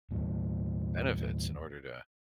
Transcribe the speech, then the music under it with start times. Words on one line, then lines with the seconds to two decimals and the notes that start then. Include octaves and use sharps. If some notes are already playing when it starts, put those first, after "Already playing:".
benefits in order to,
0.11 D#2 A2